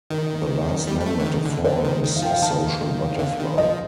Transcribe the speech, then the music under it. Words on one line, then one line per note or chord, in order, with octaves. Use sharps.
The last member to fall is Social Butterfly.
D#3 A#4
G3
G3
A3
D3
D#3
D3
D3 C5
D#3
D#3
F5
F3 G5
F5
D#3 A5
D3 F5
D#3
F3 D#5